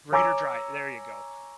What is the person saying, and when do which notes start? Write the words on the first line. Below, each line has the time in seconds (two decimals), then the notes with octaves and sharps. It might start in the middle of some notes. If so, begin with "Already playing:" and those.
greater dry, there you go,
0.12 C#5 G#5 A#5 D6 E6